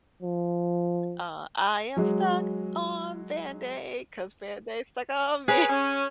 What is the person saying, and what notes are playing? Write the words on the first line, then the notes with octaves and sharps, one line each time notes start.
Uh, I am stuck on Band Aid 'cause Band-Aid stuck on me.
F3
F#3 G#3
G#4 B4 C#5
C#4